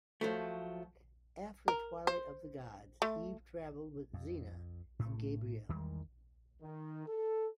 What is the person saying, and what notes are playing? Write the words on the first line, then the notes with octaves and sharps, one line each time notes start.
After the Twilight of the Gods, Eve travelled with Xena and Gabrielle.
F3 F#3 A3
A#4
C5
A3
F2
A2 A3
E2 D#3 G3 G#3
D#3
A4